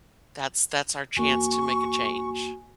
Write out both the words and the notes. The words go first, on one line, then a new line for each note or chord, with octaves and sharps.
that's that's our chance to make a change.
E2 A#3 F#4 G#5 C#6